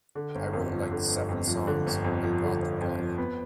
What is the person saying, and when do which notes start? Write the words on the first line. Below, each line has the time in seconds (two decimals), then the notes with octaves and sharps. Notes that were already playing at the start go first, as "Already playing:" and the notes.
I wrote, like, seven songs and brought them back.
0.15 D3
0.35 G1
0.53 F2
0.72 F3
0.91 D3
1.11 G1
1.29 F2
1.48 F3
1.67 D3
1.87 G1
2.05 F2
2.24 F3
2.43 D3
2.62 G1
2.81 F2
3.00 F3
3.18 B3